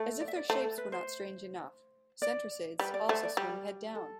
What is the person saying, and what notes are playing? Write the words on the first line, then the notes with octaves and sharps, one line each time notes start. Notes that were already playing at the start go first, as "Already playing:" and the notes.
As if their shapes were not strange enough, centriscids also swim head down.
Already playing: A3
D5
E5
D5
A3 C5
A4
B4
C5
D5
G3 B4
D5
A3 C5
D5
G3
A4